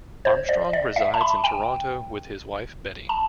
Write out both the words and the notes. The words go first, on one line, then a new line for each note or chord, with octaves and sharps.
Armstrong resides in Toronto with his wife Betty.
C5
D5
D5
E5
A5
B5
G5
A5